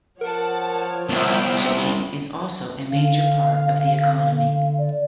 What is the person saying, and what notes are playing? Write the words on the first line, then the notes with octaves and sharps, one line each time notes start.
Chicken is also a major part of the economy.
F3 A#4 C#5 F#5 A5
C2 B3 E5 G5 E6
D3 F5
D5